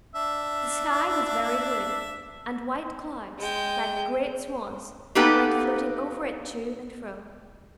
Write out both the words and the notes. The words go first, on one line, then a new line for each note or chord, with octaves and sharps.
The sky was very blue, and white clouds, like great swans, went floating over it to and fro.
D4 E5
G#3 G5
A#3 B3 D#4 G4 A4 B4